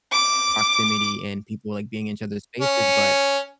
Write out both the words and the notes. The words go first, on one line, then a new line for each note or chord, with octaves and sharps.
proximity and people, like, being in each other's spaces, but
D6
C#4